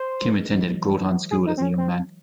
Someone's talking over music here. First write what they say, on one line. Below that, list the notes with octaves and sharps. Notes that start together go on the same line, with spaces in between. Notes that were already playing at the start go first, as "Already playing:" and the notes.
Kim attended Groton School as a young man.
Already playing: C5
G#3
E3
F#3
E3
G#4
D#4
C4
C#4
C4